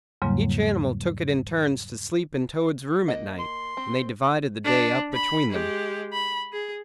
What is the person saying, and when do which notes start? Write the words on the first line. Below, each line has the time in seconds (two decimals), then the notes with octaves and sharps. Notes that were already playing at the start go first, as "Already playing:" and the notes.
Each animal took it in turns to sleep in Toad's room at night, and they divided the day up between them.
0.22 E2 G#2 C#3 F#3 G3 A#3
3.08 A#3 D#5 F#5
3.39 C6
3.77 C4
4.65 D4
5.13 B5
5.51 G#3 G4
6.13 B5
6.53 G#4